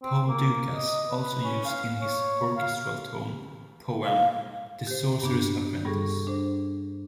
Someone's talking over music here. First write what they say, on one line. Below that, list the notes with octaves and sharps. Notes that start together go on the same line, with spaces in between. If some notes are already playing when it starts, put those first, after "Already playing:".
Paul Dukas also used it in his orchestral tone poem "The Sorcerer's Apprentice".
C4
A#3
D#5
B4
C#4
F5
C#5
F5
F5
G4 C5
G2 B3 D4
G2 G3 G#4 A4 C#6
D4 C5